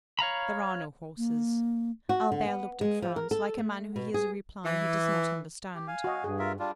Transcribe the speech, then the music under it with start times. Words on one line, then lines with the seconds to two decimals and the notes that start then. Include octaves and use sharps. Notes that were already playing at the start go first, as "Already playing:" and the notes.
"There are no horses." Albert looked at Franz like a man who hears a reply he does not understand.
0.19 C#5 F5 A#5 B5
1.17 A#3
2.09 F#4
2.32 D3
2.46 B3
2.81 G#3
3.02 F3
3.16 A#4
3.31 A4
3.58 A3
3.96 B2
4.14 G#4
4.64 E3
5.74 G4
5.88 F5 G#5
6.04 F#4 D#5
6.24 G2 G#4
6.39 F4 A#4 E5
6.60 G3 D4 F4